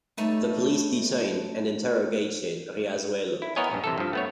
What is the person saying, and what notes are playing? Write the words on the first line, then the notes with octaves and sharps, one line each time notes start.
The police detained and interrogated Riazuelo.
G3 A3 D#4 A4 C#5
E4
B3 E4 A#4 C#5 D#5 G#5
A#1 G2
C3 E3 A4
G2 F3
A3 B3 C#5